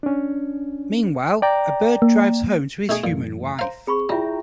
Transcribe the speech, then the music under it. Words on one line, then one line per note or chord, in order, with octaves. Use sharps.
Meanwhile, a bird drives home to his human wife.
C#4 D4
D5 G5 A#5
A#3
B2 A3 D#4 G#4
F#2 A#2 E3 A3
C5 F5 A#5
C4 G#4 B5 C#6
G3 E4 F4 E5 G5 A#5